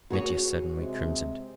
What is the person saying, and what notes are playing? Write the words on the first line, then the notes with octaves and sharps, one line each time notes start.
Mitya suddenly crimsoned.
F#4 G#4 C#5
C3 G#3